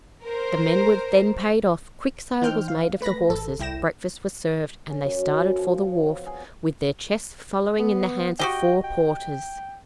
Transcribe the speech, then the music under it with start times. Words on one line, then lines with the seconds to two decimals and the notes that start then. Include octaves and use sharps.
The men were then paid off; quick sale was made of the horses; breakfast was served, and they started for the wharf, with their chests following in the hands of four porters.
0.24 A#4 C5
2.42 E3 D#4 C5 G5 F6 G6
2.68 F5
3.01 A3 B4 B5 A#6
3.29 G#1 A4
3.59 C2 E4 G5 A#6 E7
4.90 C#4
5.04 F#2
5.25 C4
5.59 F3
5.87 C#5
6.08 B3
6.26 G#4
7.79 B3
8.39 F#4 G4 D#5 G5
8.84 G5